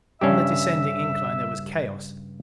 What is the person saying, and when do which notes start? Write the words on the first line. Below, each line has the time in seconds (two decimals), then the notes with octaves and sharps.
On the descending incline there was chaos.
0.21 G2 C#3 C#4 D4 G4 E5